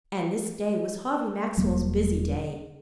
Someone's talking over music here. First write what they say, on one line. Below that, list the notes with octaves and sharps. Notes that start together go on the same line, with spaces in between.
And this day was Harvey Maxwell's busy day.
E1 F#3 G3 A#3